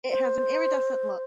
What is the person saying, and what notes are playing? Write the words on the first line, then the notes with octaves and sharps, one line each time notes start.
It has an iridescent look.
C5